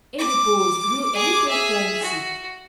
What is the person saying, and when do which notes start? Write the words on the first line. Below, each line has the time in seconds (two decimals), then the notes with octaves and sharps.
Adipose grew a little home-sick.
0.19 D6
1.15 G#4 D6
1.49 G#4 E5
2.03 F#4